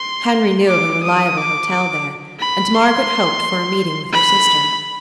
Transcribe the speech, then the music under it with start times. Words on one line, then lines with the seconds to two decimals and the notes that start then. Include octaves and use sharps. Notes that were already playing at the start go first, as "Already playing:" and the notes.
Henry knew of a reliable hotel there, and Margaret hoped for a meeting with her sister.
Already playing: C6
0.67 D6
1.03 D#6
1.37 D6
1.71 D6
2.39 B5
2.74 C6
4.12 B5